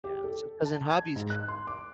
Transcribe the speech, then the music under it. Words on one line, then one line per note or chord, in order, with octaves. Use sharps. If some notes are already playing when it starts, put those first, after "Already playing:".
Yeah, so 'cause in hobbies,
G4
A4
A5
G#6
G#2
F#6
C6
D6